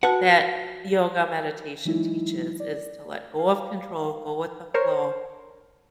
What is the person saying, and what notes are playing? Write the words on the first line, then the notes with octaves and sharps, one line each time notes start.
that yoga meditation teaches, is to let go of control, go with the flow,
F#4 B4 F#5 A5
E3 F#3 G#3 D#4 E4
D5
F5
A#4 C5 C#5